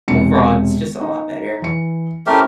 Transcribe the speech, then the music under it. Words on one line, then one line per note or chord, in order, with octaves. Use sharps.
Overall, it's just a lot better,
E1 C3 C#7
D#4
E3 C#7
A3 C#4 E4 G4 A#4 C5